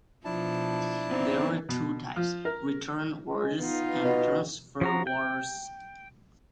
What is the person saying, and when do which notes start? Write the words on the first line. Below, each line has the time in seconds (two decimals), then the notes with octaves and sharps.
There are two types; return orders and transfer orders.
0.25 B2 F3 D4 E4 A5
1.11 B3 C4 D#4 D5
1.69 B2
2.16 F3
2.45 A#4
3.28 G#3
3.59 B3 D#4 F4
4.05 B2
4.81 F3 F#4 A#5
5.07 G5